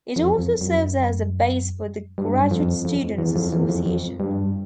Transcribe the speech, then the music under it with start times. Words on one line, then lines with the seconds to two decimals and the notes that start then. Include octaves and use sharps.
It also serves as the base for the Graduate Students' Association.
0.16 F2
0.38 F2
0.61 F#2
2.18 G2
2.51 F2
2.85 F2
3.18 E2
3.36 F2
3.53 E2
3.69 F2
3.86 F2
4.20 G2